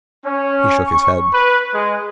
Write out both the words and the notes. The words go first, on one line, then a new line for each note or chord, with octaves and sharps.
He shook his head.
C#4
C#6
B4
G#3